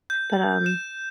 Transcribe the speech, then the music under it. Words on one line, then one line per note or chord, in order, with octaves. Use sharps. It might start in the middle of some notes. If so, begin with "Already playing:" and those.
but, um,
G6
E7